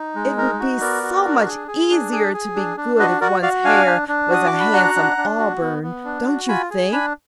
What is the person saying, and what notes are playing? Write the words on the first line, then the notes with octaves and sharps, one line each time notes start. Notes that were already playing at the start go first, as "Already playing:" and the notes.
It would be so much easier to be good if one's hair was a handsome auburn, don't you think?
Already playing: D#4
G#3
D#4 A#4
F#4
B3 A#4 D5
F#4
D4
G#4
G#4
D4
G#4
G#4
D4
D4
F#4 B4 D#5
F#4 A#4 D5
F#4 D5 F5
D4 F5 G#5
D4
D4
F#4 D#6
D6
D4
B5
F#4 F#5 A#5
D4
D4
F#4
B3
B3
D4
F#4
F4 G#5 B5
G#4
D4 G#5 B5